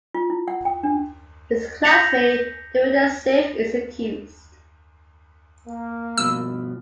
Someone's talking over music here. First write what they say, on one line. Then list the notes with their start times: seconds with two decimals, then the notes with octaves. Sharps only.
His classmate, Duvinder Singh, is accused.
0.14 F4
0.30 E4
0.48 F#5
0.65 G5
0.83 D4
1.83 G6 A#6 B6 C#7 F7 F#7
5.67 A#3
6.17 G2 B2 F3 E6